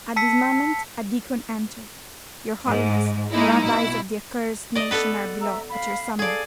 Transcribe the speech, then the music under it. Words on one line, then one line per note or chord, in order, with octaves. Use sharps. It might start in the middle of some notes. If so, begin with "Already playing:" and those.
At this moment a deacon entered.... 'Your holiness, the rabbis of the accursed nation are below, at your summons.
A5 E6 B6 C#7
G#2
G#3 A#3 D#4 E4
B2 E4
D5 D#5
B3 A4 B4
E5 A#5 E6
F5 B5
G#4 A4 D5 F5